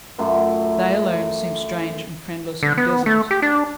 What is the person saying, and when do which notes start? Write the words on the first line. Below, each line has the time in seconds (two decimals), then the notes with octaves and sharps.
They alone seemed strange and friendless, and desolate.
0.18 F#2 A3 F4 F#5
2.63 D3
2.78 B3
3.06 A3
3.31 G4
3.42 D4